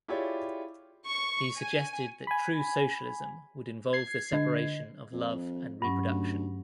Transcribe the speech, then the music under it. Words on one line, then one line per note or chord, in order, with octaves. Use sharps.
He suggested that true socialism would involve the separation of love and reproduction.
E4 F4 G4 G#4 C#5 D5
C#6
G#5
G#5 B5
G#6 C7
D3 D4 D#5
F2
G2 F#3 C#4
D2